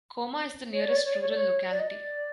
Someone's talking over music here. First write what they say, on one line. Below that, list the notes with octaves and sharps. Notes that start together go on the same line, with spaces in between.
Koma is the nearest rural locality.
C#5
D5
C#5
D5
C#5
D5
C#5
D5
C#5
D5
D#5
D5